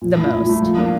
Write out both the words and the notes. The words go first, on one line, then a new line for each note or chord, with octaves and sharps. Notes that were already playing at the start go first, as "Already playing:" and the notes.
the most.
A#2
A3 E4
A#2
A3 E4
F3
A#3 D4 F4